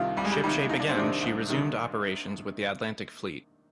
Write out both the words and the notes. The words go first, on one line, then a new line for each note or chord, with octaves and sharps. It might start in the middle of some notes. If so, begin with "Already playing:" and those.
Shipshape again, she resumed operations with the Atlantic Fleet.
Already playing: C2 C3 D#3 F4
C2 G3
G#3
G3
C3 D#3 G3
C2 D#4
D4
C4
C3 D#3 D4
C2
C3 D#3